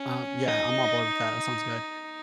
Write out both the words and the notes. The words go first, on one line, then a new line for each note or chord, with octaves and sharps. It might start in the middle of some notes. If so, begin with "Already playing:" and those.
Um, yeah, I'm on board with that, that sounds good.
Already playing: C#4
D#4 D#5